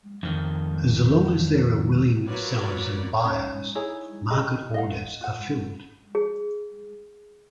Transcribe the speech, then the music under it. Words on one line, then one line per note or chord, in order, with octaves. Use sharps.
As long as there are willing sellers and buyers, market orders are filled.
F2 D#3
F#3 F4 A#4 B4 C#5 D5
C#4 D#4 C#5
D#4 E4 G#4 C#5
G4 G#4 D#5
D#5 F5 F#5
F4 F#5
G#4